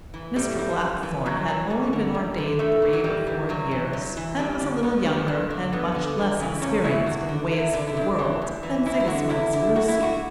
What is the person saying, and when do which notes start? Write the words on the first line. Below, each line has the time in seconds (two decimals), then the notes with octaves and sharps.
Mr. Blackthorne had only been ordained three or four years, and was a little younger, and much less experienced in the ways of the world, than Sigismund Zaluski.
0.14 E3
0.36 A2 G3
0.59 E3
0.81 F#2
1.03 E3
1.26 F#2 F#3
1.48 E3
1.70 F#2 G3
1.93 D3
2.15 F#2
2.38 D3
2.59 A2 A3
2.82 E3
2.93 F#3
3.04 A2 G3
3.27 E3
3.49 G2 F#3
3.71 E3
3.93 G2
4.17 E3
4.38 G2 G3
4.61 D3
4.83 G2 B3
5.05 D3
5.28 G2
5.50 D3
5.73 G2 B3
5.95 D3
6.18 E2
6.40 C#3 E3
6.62 E2 C#4
6.84 C#3 E3 E4
7.06 E2 F#4
7.29 D3
7.51 E2 E4
7.73 D3 D4
7.87 E4
7.97 G2 D4
8.19 E3
8.42 G2
8.63 E3
8.86 E2 E4
9.00 E4
9.08 D3 F#4
9.30 E2 E4
9.53 D3 E4
9.76 F#2 F#4
9.88 E4
9.97 D3
10.02 F#4